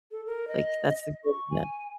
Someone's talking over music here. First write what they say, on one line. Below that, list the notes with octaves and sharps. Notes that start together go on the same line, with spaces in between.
Like, that's the good yep.
A4
A#4
D#5
C#6
G#5